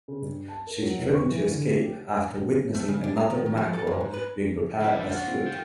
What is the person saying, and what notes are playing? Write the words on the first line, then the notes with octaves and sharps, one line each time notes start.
She is driven to escape after witnessing another mackerel being prepared as food.
C#3
G2
A5
A#4
F#3
F1
C#6
E3
D3
A3
G4
A3
C#3
D4
A#5
D#3
D#3
F3
A4
F#2
G#2
B4
D#3 F#3 E4 B4 E5
A#1 C#3 G3 D4 C5
F4 F#4
C4 C#4
D#3 A4 G5